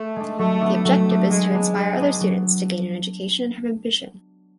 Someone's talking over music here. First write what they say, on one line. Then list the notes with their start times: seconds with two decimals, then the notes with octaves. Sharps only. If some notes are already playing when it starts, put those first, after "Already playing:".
The objective is to inspire other students to gain an education and have ambition.
Already playing: A3
0.16 G#3 D4
0.38 F#3 A3
0.61 B3 D4
0.84 F#3 A3
1.07 B3 D4
1.30 F#3 G#3
1.52 B3 D4
1.75 F#3 G#3
1.97 B3 D4
2.21 F#3